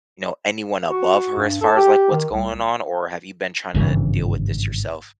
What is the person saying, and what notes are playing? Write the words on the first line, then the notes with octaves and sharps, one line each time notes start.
y'know, anyone above her as far as, like, what's going on, or have you been trying to deal with this yourself?
F#4
G2
A4
G4
D#3
C2
G#1 G2 C#3 E3